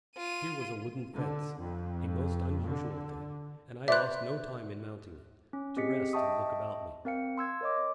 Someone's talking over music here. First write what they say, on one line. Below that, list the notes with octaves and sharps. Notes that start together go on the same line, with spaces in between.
Here was a wooden fence,--a most unusual thing,--and I lost no time in mounting it, to rest and look about me.
F4 D#7
D3
F2
D3
B4 C5 D5 E5 F#6
C#4
C4 G4 G#4 D#5 B6 C#7
D#5 E5 G5 A5 C#6 D#6
C4 A#4 F5 G5 C#7
C6 E6 G#6
A#4 C#5 D#5 D6